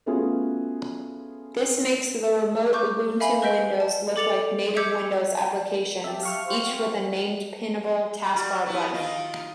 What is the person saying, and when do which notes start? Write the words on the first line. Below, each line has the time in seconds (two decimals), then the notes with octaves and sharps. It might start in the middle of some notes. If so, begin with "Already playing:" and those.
This makes the remote Ubuntu windows look like native Windows applications, each with a named pinnable taskbar button.
0.06 A3 B3 C#4 F4 F#4 G#4
2.73 C#6 D6 G6
3.20 E5 F5 G#5 B5
3.42 B4 D#5 G6 B6 D7 G7
3.80 A5
4.16 A4 D6 A6 C#7 F7 F#7
4.77 D6 E6 G6 G#6 B6 C#7
6.04 G4 E5 A5
6.23 F5 C#6 F6
6.46 G4 C5
6.60 C4 F#4
8.34 G3 F#4
8.66 B3 E4
8.93 D#3 D#4 F4